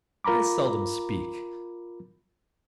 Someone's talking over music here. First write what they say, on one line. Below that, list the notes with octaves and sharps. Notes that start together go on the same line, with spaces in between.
I seldom speak.
F4 A#4 A#5 B5 D6